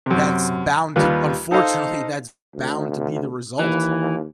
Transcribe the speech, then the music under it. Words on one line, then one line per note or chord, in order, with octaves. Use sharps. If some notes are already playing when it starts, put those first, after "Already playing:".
that's bound to unfortunately, that's bound to be the result.
F#2 C3
D#2 G3 F4 B4
D#4 A4 C5 D#5 F5
D2
D#2 E3